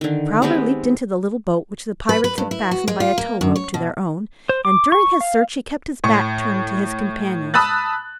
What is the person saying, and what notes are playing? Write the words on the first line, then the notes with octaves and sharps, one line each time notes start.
Prowler leaped into the little boat which the pirates had fastened by a tow-rope to their own, and during his search he kept his back turned to his companions.
D3 D#3
G#3 B3 C4 G4
B4
B4
G2
E4
F#4
G#3
F4
A#3
F#2
C#5
B2
C5
D6
C#6
F5
A2 C#6
A5 B5 D#6 E6 F#6 A6